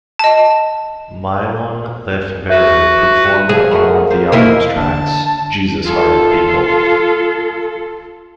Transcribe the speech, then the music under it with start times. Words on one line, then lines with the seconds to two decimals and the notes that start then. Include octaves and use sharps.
Mylon LeFevre performed on one of the album's tracks, Jesus Hearted People.
0.19 D#5 A5
2.50 F#4 B4 E5
3.49 F3 G#4
3.71 A3 A#3 F#4
4.10 A#3 C5
4.32 F3 A#3 D#4 E4
4.76 D3 A5
5.84 F4 A4